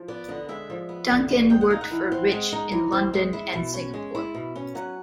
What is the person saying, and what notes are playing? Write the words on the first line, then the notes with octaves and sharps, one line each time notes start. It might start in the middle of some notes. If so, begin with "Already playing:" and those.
Duncan worked for Rich in London and Singapore.
Already playing: F3
B3 D5
D3 D#5
G#3 E5
F3
B3
D3
G#3
G#3 G5
F#5
D#4 F5
F#5
E3
C4
G#3
D#4
E3
C4
G#3
E4
B2
C#4
G#3
E4
B2
C#4
F#3 F#5